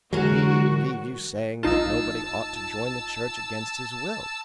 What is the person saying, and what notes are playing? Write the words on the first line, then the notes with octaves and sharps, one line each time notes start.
We leave you saying that nobody ought to join the Church against his will.
D3 E3 F#3 G#3 F#4 A#4
A#1 D#4 F4 A5 E6